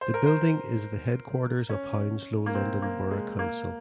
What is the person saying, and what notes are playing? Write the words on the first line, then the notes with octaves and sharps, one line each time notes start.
The building is the headquarters of Hounslow London Borough Council.
C5
A#4
C5
C#4
A#3
C4
A#3
G#3
A#3